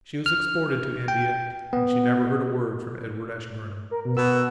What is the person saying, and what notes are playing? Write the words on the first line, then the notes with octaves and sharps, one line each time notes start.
She was exported to India and she never heard a word from Edward Ashburnham.
F6
G5
B3
A#4
B2
B2 B3 E6